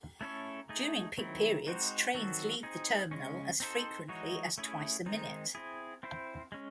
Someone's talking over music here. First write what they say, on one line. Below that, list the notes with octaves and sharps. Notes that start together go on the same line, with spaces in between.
During peak periods, trains leave the terminal as frequently as twice a minute.
A3 C#4 E4 A4 C#5
A3 D#4 G#4
D#3 F#3 C4 E4
G#3 C4 D#4 F#4 C5
D#3 F#3 C4 F#4 A4
C4 D#4 G#4
C#3 G#3 C#4
C4 D#4 A4 C5
E3 G#3 D#4 F#4 C#5
A3 C#4 E4 G#4
D#3 G#3 C4 D#4
C4 E4 G#4
C4 E4 C5
G#3 C#4